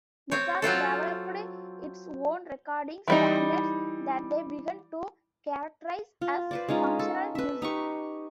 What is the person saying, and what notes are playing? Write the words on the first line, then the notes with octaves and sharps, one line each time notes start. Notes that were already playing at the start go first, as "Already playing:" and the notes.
Muzak developed its own recording standards that they began to characterize as "functional music".
C4 C#5
F#3 C4 F4 A4
E3 G3 D#4
F4
B4 C5 D5
G#3 C#4 D#4 F4
A4
B4 E5
D#4 G4 C#6